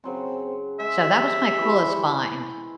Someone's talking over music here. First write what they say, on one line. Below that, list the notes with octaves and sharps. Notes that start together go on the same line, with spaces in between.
So that was my coolest find.
C#3 F#3 C4 C6
G#3 D#5 E5
G4
E3 E4 B4
C5 C6 C#6